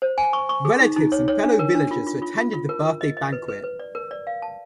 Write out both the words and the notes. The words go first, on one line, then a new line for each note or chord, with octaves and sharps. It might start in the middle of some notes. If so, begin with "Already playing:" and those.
Relatives and fellow villagers attended the birthday banquet.
C5
G#5
C#6
C#6
G#4
D#4
D#4
C#5
C#5
D4
A#4
D4
F4
F4
F4
F4
F4
A#4
A#4
D#5
D#5
B4
B4
B4
D5
A#4
D5
F5
A5